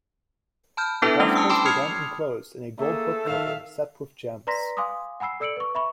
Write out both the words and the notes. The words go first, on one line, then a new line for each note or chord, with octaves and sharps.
The gospels were then enclosed in a gold book cover set with gems.
A5 B5 F6 G6
B3 D4 E4 A4 B4 E5
G3 A3 C#4 D4 F7 G7
G#5 A5 D#6 E6
G5 A5 B5 C6 D6 E6
D#6 F6 G#6 C7 C#7 F7
A3 A#3 G#4 A4
D#3 E5 F5
B4 D5 A#5 C6 A#6 B6
F5 G#5 C6 D6 D#6
F#5 G#5 B5 E6 C7
A4 D5 E6 C#7 D7 F#7
B4 C#6
E5 B5 C#6